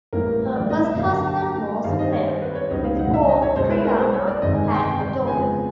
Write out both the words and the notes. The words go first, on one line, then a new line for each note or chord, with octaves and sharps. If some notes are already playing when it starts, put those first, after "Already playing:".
Her first husband was Lev, with whom Triana had a daughter.
A1 A2 E3 G3 A#3 A#4
D5
D#5
E5
G2 D3 F#3 A#3 D4 F5
A5
A#5
A5
A#5
G2 D#3 G3 C4 F5
D#5
C#5
C5
B4
C#5
C#2 B2 G3 C4 D#4 D#5
F5
F#5
E5
D#5
C#5
B1 B2 G#3 C#4 C5
B4
A#4
C5
C#5
D5
G1 F2 C3 D#3 G#3 D#5
G#5
G#5
G5
F2 C#3 F3 G#3 B3 G#5